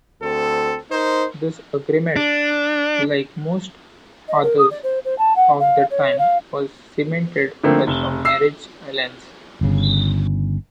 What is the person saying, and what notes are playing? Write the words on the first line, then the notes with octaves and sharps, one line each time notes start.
This agreement, like most others of the time, was cemented with a marriage alliance.
D2 C4 A4
D#4 A#4 C5
D4
D#5
A#4
D#6
D5
C5
C5
A5
F#5
F5
C#5
F5
D3 F3 A3 A#3 C4
F1
E6 C7
G1 C#3